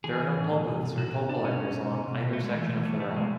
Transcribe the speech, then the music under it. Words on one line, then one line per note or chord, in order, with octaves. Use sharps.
There are no tollbooths or toll collectors along either section of the route.
E3 G#4
E3
A2
E3
B2
B2
B2 F#4
B2
B2 D4
B2 C#4
B2
B2
B2
B2
B2
A3
B2 G#3
E3 A3
E3
E3 A3
A2 A3
B2 G#3